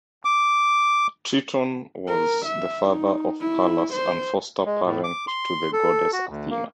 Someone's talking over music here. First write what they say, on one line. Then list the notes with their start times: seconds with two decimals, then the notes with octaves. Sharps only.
Triton was the father of Pallas and foster parent to the goddess Athena.
0.25 D6
2.08 A#4
2.46 E5
2.89 D#4
3.41 E4
3.93 C5
4.65 G#3
4.85 A2
5.04 D6
5.28 C6
5.73 A4
6.13 F#4
6.29 D2
6.50 A#3